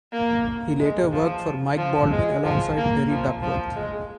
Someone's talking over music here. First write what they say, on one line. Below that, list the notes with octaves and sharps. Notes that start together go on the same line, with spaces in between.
He later worked for Mike Baldwin alongside Terry Duckworth.
A#3
G#3
F3
F3
G#3
F3
A#3
F3
F3
G#3